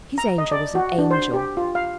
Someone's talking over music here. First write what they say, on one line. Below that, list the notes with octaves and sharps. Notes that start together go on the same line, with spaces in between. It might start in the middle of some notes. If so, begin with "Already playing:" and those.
His angel was an angel.
A#5
D#5
D5
F#4
D4
C5
G4
F4
F5